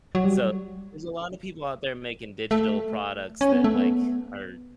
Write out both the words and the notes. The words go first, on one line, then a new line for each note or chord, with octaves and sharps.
so, there's a lot of people out there making digital products that, like, are
F#3
G3
A3
C#4
B3
A3
B3